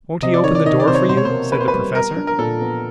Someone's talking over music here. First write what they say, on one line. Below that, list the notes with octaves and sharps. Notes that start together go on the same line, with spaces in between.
"Won't he open the door for you?" said the Professor.
C3 D#5
D5
D#3 C#5
D5
D#3 D#5
D5
C3 C5
C#5
B2 C5
C#5
C5
A#3
A#3 B4
C5
B4
G3
B3 A#4
D4
A#4
A#2 A4
B3